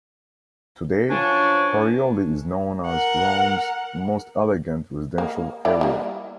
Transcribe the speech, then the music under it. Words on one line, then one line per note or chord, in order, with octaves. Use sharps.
Today, Parioli is known as Rome's most elegant residential area.
F#2 F3 D4 G#5 C#6
A#4 F#5
A#3
F3 E4 D5
G3 A#3